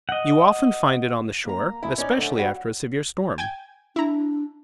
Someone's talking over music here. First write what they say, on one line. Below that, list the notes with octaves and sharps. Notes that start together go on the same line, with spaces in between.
You often find it on the shore, especially after a severe storm.
D#5 F#5
A#3 A#5
C#3 E4
C#4 D#4 D5
D3 A3 C#4
F#3 G3 F#4
G5 G#5 G#6
D4 E4 A#5